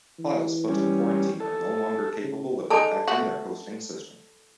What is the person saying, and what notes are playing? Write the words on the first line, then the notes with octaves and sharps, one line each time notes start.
Files put in quarantine are no longer capable of infecting their hosting system.
E3
G3 C#4
A4
C#3
G#3 D#4 A4 A5 D6
A3 F#4